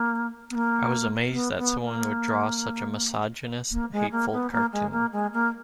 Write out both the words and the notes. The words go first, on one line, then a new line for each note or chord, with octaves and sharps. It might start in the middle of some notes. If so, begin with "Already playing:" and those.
I was amazed that someone would draw such a misogynist, hateful cartoon.
Already playing: A#3
B3
A#3
B3
B3
A#3
A#3
G#3
A#3
B3
A#3
G#3
A#3
G#3
A#3